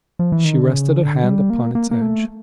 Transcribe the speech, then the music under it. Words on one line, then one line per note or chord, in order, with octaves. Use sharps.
She rested a hand upon its edge.
F3
E3
D#3
D3
C#3
D3
G3
A#3
A#3
A#3
A3